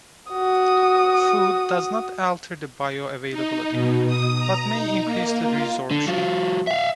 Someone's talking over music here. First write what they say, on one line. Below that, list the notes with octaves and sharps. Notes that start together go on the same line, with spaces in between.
Food does not alter the bioavailability, but may increase the resorption.
F#4 D#6
D#4
B2
D#6
A#5
D#4
A#3
F4
D3
F#3 F4
E5 F5